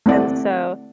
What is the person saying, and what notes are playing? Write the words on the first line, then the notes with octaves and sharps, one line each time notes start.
And so,
A3 C4 E4 D5 F#5